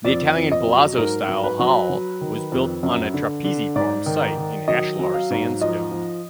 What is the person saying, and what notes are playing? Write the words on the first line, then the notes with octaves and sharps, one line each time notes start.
The Italian palazzo-style hall was built on a trapeziform site in ashlar sandstone.
F2 D5
F2
D#5
F#3
G#2 A#4
F#3
B4
F#3
F#3
D#3
F2
F#2
D3
D3
G#2 D5
D#3
D#3
F#3 D#5
F#3
F5
G#2
F3 D#5
F3